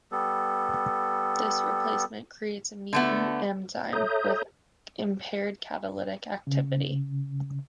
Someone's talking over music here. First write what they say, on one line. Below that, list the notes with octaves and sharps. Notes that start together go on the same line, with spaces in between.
This replacement creates a mutant enzyme with impaired catalytic activity.
G3 B3 A4
D3 A3 B3
A4 C#5 E5 A#5 D#6 G6
C#3